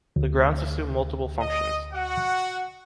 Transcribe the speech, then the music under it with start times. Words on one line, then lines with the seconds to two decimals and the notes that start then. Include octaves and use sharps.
The grounds assume multiple functions.
0.16 D2
1.39 D#5
1.93 F#4 F#5